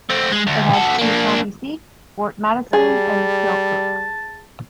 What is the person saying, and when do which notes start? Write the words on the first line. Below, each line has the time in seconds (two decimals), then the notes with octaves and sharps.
It has two county seats - Fort Madison and Keokuk.
0.10 A3 C4
0.32 G#3
0.47 D2
0.74 F#4 A4
0.98 A#3 D4
2.73 G3 G#4 A5